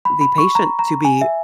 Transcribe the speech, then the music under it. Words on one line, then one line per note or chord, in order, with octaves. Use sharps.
the patient to be
B5
B5
C#6
A#5
A#5
G#5
E5